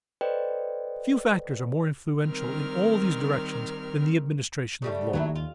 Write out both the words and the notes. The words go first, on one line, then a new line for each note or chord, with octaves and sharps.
Few factors are more influential in all these directions than the administration of law.
A4 B4 C5 D5 D#5 G5
D#3 G3 C4 A#4 F6
C#3 G3 A3
D#2 F#3 A3 E4
F4